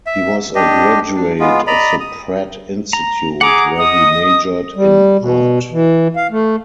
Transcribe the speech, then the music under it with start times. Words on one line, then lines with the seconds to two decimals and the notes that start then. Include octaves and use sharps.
He was a graduate of the Pratt Institute, where he majored in Art.
0.06 E5
0.55 D4 G4 D#5
1.16 D4
1.40 G#3 B3 F4
1.67 D5 D#5 A#5 B5
2.00 D#6
2.93 A#5
3.41 G#4 F#5 A#5 D6
3.78 D#5 D#6
4.76 G3
5.21 B2
5.71 E3
6.16 F5
6.31 A3